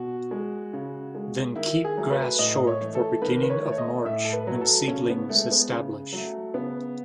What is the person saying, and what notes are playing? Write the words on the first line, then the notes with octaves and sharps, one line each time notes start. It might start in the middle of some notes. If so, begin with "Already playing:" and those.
Then, keep grass short for beginning of March when seedlings establish.
Already playing: B2 F#4
G#3
C#3
G#3
D#3 E4
G#4
F#3 A3
B4
A2 D#5
C#5
E3 A3
A4
D#3 B4
B4
C#5
A3
C#5
D#5
A2 E5
A4
B4
F#3 A3
A4
C#3 C#4
B3
G#3 A3
B3
C#3
F#3 A3
C#3 B3